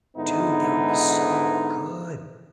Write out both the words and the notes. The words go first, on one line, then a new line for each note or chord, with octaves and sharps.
Dude, that would be so good.
G#2 D3 G#3 B3 D#4 E4